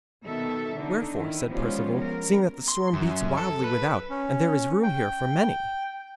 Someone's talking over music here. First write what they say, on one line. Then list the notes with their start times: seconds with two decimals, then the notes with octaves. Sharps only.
'Wherefore,' said Perceval, 'seeing that the storm beats wildly without and there is room here for many?'
0.25 B2 D#3 A4 E5
0.77 D3 D4 D#4
1.15 D#3 E4
1.48 F3 G3 G#3 B3 C#4 F4
1.99 A#4
2.68 C6
2.93 F#2
3.37 A4
3.64 B4
4.10 C#4
4.83 G5